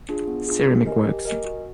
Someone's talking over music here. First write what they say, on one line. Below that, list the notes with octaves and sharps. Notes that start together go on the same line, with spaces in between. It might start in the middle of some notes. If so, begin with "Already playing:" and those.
Ceramic works.
D4 F4 G#4
B3
D4 F4 G#4
G4
A#4 D#5 G#5
G4
A#4 D#5 G#5
F#4